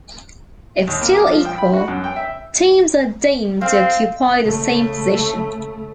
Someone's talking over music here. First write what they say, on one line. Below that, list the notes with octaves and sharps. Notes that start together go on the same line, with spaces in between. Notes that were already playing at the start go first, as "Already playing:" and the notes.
If still equal, teams are deemed to occupy the same position.
D#2
A#3
D6
F3
G5
B5
F#4
F#2
G5
E5
C4 F5
C#3 A3